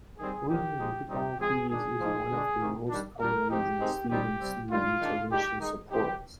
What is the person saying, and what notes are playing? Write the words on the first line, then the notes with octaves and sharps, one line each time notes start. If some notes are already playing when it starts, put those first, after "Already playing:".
Reading difficulties is one of the most common reasons students need intervention support.
D#3 G3 C4 G#4
A#2 F3 A#3 D#4 G4
F3 G#3 D#4
A#2 G3 C4 D#4 G4
F3 G#3 C4 G#4
D#3 G#3 D4 G#4
A#2 F3 A#3 D#4
D3 G#3 D4
C3 D#3 A#3
D#3 G3 D4
A#2 G3 D4 A#4
F3 C4 D#4 G4
D#3 G#3 C4 D#4
D#3 G3 C4 D#4 G4
C3 G3 C4
D#3 G3 D4 F4
D#3 G#3 D4
A#2 G#3 D#4 G4
D#3 G#3 D#4
F3 C4 D#4 G4